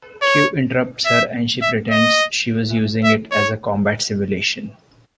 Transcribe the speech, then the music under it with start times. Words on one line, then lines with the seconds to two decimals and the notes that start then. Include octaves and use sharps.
Q interrupts her, and she pretends she was using it as a combat simulation.
0.22 C#5
1.05 E5
1.62 E5
1.91 D#5
3.04 E5
3.31 C#5